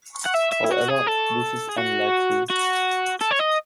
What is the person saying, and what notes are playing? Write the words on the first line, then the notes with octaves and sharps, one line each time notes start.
However, this is unlikely.
F#5
E5
E5
E4
F#4
G#4
A4
G#4
F#4
F#4
A4
C#5
D#5